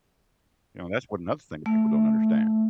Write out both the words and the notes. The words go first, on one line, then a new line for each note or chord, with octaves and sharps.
You know? That's what another thing that people don't understand.
A3